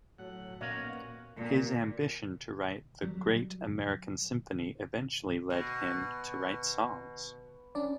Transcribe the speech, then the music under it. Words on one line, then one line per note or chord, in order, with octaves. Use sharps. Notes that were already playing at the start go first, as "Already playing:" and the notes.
His ambition to write the "great american symphony" eventually led him to write songs.
A2 F#3 F#5
A#2 A#3 B3 C#4 F#4 C#5 D#5 F5
A#2
F#3 G3
B2
C#4 D4 D5